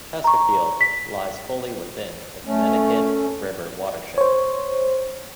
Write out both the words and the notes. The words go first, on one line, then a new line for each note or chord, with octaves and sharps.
Chesterfield lies fully within the Connecticut River watershed.
A#5 C#6
B6
A3 C#4
C5 C#5